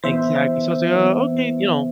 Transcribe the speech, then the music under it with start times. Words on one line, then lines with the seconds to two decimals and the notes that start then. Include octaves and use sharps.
Exactly. So I was like, "Oh, okay," you know,
0.04 E3 B3 C5 E5
0.94 E3 B3